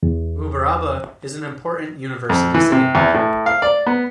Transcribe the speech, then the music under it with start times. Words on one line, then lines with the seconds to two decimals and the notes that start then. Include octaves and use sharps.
Uberaba is an important university city.
0.03 E2
2.29 F2
2.55 E3
2.72 C3
2.95 E2
3.14 A2
3.46 F5
3.62 D5
3.86 B3